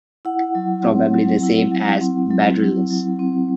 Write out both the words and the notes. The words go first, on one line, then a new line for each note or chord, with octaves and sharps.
Probably the same as Bardyllis.
E4 F#5
F#3
C4
F#3
E4
F#3
C4
F#3
E4
F#3
C4